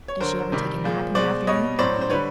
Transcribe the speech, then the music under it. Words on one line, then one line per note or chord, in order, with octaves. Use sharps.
"Does she ever take a nap in the afternoon?" he queried.
C#5
D3 F#3 A#4 C5
C3 D#3 G3
A#2 F3 G#3
B2 G#3 C5 D5
B2 G3 C#5 D#5
A2 F#3 C5 D5
C5
D3 G3 B4 C#5